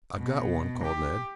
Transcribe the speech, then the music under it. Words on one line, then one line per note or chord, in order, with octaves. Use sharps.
"I've got one," called Ned.
B2
G4